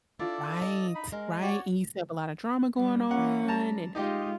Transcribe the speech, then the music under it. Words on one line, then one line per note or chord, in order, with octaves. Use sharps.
Right, right, and you still have a lotta drama going on and,
D4 E4 F4 A4 D5
D#5
D#4 B5
G#3 A#4
F#4 C#5 D5
G3
E3 C#4 F#5
G3 A5 A#5
G#3 D#4 F4 G4 D#5